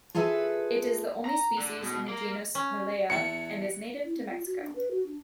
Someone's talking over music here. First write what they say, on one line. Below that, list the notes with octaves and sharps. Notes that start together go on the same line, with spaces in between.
It is the only species in the genus Malea, and is native to Mexico.
F4 G#4 A4 B4 E5
A#5
D3
B2
A#3
C#4
E2 E4 A5 C#7
E4
C4
F4
F#4
D4
B4
F#4
D4